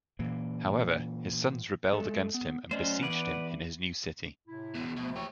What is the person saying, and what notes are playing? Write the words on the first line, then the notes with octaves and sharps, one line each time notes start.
However, his sons rebelled against him and besieged him in his new city.
A#2 E3 A#3
G#3 A4
B3
F#3 A3 C#4 C5 D5 D#5
E2 B4 D5 F#5
A2 C3 E4
E2 B2
D2 B2 F3
G4 C#5